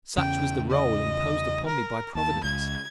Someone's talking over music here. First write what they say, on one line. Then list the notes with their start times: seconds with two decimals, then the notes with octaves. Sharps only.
Such was the role imposed upon me by Providence!
0.17 E2 C#3 C#4 G5
0.70 D#5
1.66 A#4
2.15 D#2 A5
2.44 C#2 G#6